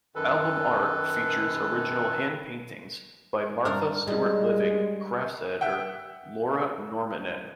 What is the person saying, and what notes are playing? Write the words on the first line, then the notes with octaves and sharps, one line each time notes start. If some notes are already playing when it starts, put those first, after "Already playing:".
Album art features original hand-paintings by "Martha Stewart Living" crafts editor Laura Normandin.
F#2 D#3 A4 B4
G2 D4 A#4
G3 G#3
E5 F#5 G5